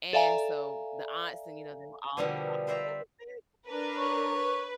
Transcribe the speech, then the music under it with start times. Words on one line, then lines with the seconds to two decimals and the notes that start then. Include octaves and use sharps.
and so the aunts and, you know, they were all talking, it was very
0.13 A4 D5 E5 F5 G#5 A#5
2.17 B2 D3 F3 G3 A#3 B3
2.67 B4 C5 D5 E5 G5 A#5
3.67 D4 A#4 B4
3.96 C#5
4.36 B4